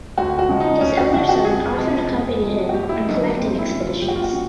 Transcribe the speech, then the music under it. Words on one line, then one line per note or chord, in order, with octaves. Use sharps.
His elder son often accompanied him on collecting expeditions.
D2 F#4
F#4
C#3 F3 G#3
D#4
D2 C#4
F#4
C#3 F3 G#3 F#4
F#4
F2 G#4
C3 F3 G#3
F2
C3 F3 G#3
F#4
F#1 G4
E4
F#2 D3 F#3 D#4
D4
F#1 C4
E4
F#2 D3 F#3
F4
F#1 G4
F#4
F4
F#4
C#3